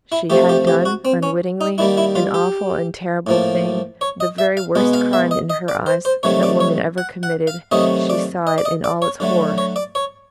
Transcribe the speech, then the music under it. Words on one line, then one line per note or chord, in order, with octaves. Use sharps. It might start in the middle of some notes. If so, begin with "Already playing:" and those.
She had done--unwittingly--an awful and terrible thing--the very worst crime, in her eyes, that woman ever committed--she saw it in all its horror.
E4
C3 F3 A3 G4
G4
G4
F#4
C4
C#4
D#4
D#3 G3 A#3 E4
E4
F4
G4
A2 F3 A#3
C#5
D#5
E5
F5
B2 G#3 B3
F5
E5
D#5
D#5
D5
C5
C5
C3 D#3 F#3 A3 C#5
D5
C#5
F#5
F#5
F5
C3 D#3 F#3 A3 D#5
D5
D#5
D5
D#5
D5
C#5
D3 F#3 A3
C#5
D5
C#5